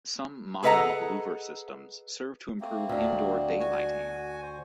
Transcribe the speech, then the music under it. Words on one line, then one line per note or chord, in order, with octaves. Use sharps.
Some modern louver systems serve to improve indoor daylighting.
G#4 A4 B4 D#5 F#5 A#5
A3 A#3 C4
D2 D4
F#4 G#5
C5